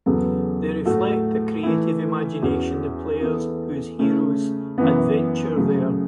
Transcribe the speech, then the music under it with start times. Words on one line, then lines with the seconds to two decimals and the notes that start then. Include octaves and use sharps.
They reflect the creative imagination the players whose heroes adventure there.
0.06 E2 C#3 F#3 B3 A4
0.85 A2 A3 F#4 A4
1.63 E3 A3 E4
2.42 E2 E3 C#4 F#4
3.20 E3 B3 A4
3.99 C#3 A3 C#4
4.78 F#2 E3 B3
5.56 F#2 C#3 F#3 A3